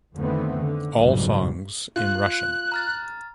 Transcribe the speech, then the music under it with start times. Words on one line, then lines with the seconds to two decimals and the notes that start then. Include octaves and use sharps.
All songs in Russian.
0.15 F2 D3 D#3 A3 B3 C4
0.59 D3
0.97 F#1 F2 G#2 B2 F#3 G3
1.96 F4 F#6
2.72 A#5 F6 A6